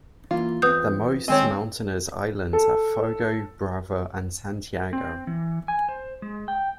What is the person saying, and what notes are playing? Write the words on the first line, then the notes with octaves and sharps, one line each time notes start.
The most mountainous islands are Fogo, Brava and Santiago.
E3 A#3 F4
E2 C4 B4 D#6 G6
D#3 G#3 C4 G#4 C#5 D#5
A4
C4
E3
G#5
C5
G#3
G5